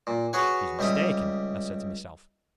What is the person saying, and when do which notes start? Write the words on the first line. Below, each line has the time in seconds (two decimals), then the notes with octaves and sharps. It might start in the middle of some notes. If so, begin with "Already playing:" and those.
'She's mistaken, I said to myself.
0.07 A#2
0.33 F#4 G#4 B4 C#5 F#5 G#5
0.79 C#2 G3 G4 E5 D#6